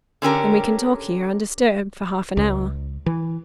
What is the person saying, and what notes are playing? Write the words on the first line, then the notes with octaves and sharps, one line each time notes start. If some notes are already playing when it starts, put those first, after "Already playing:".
"Then we can talk here undisturbed for half an hour?"
D3 C#4 G4 A#4
C#2
E3